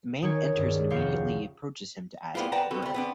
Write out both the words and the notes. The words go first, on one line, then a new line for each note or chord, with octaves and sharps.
The man enters and immediately approaches him to ask for work.
D#3 D#4 C#5 G#5 C#6 G#6
C#2 G2
F1 F5 G5 C#6
G3 A#3 B3 E4 F4
B4 D5 F#5 G5 A5 A#5
B3 C4 F#4 A4
D2 G3
B3 C4 D4